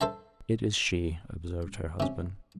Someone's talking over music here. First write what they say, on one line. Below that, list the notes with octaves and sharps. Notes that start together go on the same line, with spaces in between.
"It is she," observed her husband.
A4 C5 E5 A5
C3 C#4